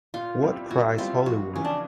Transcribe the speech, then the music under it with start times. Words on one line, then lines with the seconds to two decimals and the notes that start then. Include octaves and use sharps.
What Price Hollywood?
0.14 A#2 F4
0.42 G3 C4 E4
0.70 A#2 F#4
0.98 G3 C4 E4 F4
1.26 F2 F#4
1.53 C#3 E3 C#4
1.65 D4